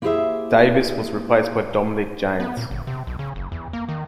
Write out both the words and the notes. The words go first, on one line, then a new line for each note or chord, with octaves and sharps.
Davis was replaced by Dominic Janes.
A#3 E4 G4 G#4 C5 E5
B3
A#2
G1
C3
B1
C#3
F#1
E2
A#3
D#3